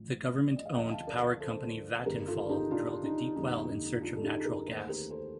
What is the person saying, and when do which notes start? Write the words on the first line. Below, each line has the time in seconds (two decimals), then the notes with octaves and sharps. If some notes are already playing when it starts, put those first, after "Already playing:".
The government-owned power company Vattenfall drilled a deep well in search of natural gas.
Already playing: A1 A2 F3
0.47 D5
0.56 D#5
0.66 F5
0.74 D2 D3 F3 A3 D#5 G5
0.91 F5 A5
1.07 A#4 D5
1.40 A4 C5
2.06 G1 G2 D#3 G4 A#4
2.27 F4 A4
2.49 D#4 G4
2.71 D4 F4
3.04 D#4
3.36 F2 D3 G3 A#3 D#4
3.69 D#4
4.02 D4 F4
4.16 A4
4.23 D#4 G4
4.45 G4 A#4
4.67 D#2 D#3 A3 A4 C5
4.89 G4 A#4
5.11 A4 C5